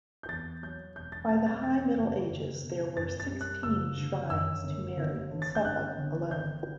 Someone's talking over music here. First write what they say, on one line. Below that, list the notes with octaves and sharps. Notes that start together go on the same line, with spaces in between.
By the High Middle Ages there were sixteen shrines to Mary in Suffolk alone.
G6
E2 A6
F#3 G6
E1 G6
A6
B2 A6
A6
E2 A6
F#1
F#1
B2
F#2 A6
A6
G3
F#6
F#1 E6
D3
F#2 E6
G1
G1
D3
A6
G6
G2 F#6
G1
G1 G6